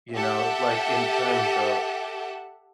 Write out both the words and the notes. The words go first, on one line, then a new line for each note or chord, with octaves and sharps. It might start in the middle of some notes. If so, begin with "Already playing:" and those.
you know, like, in terms of,
G4 A4 E5 F#5